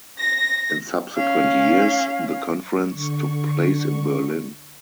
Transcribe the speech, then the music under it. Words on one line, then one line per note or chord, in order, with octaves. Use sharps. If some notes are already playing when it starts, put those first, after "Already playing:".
In subsequent years the conference took place in Berlin.
A#6
C#4 F5
D3 C#6